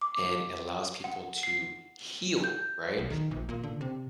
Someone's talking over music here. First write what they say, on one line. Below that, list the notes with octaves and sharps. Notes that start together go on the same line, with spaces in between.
and it allows people to heal, right?
D6
F#5
C7
G6
B1
D#3
A#1
A#2
D3
C3